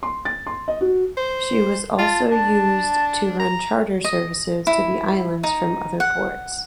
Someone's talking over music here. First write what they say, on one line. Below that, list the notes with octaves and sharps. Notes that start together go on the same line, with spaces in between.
She was also used to run charter services to the Islands from other ports.
C6
A6
C6
D#5
F#4
C5
F4 A5
D4 A5
A#5
D#5
E4
D#4
F#5